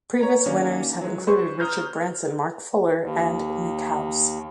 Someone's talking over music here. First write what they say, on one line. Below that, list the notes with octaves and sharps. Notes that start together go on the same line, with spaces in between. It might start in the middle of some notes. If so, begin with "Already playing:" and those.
Previous winners have included Richard Branson, Mark Fuller and Nick House.
C#5 A#5
D#3 A#3 C#4 D4
F#3 G#3
B4 C5 C#6
A#5 D#6 F6 G6
D#2